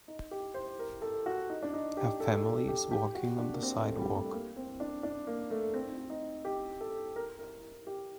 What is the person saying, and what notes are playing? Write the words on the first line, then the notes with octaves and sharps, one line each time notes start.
A family is walking on the sidewalk.
D#4
G4
C5
A#4
A4
F#4
D#4
D4
D#4
G4
A4
A4
G4
G4
F#4
D4
A#3
C4
A3
G3
A3
A#3
C4
D4
D4
A#3
A3
C4
D#4
G4
A4
A#4
A#4
G4